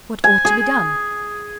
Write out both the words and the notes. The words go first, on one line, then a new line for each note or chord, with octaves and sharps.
What ought to be done?
G#5
G#4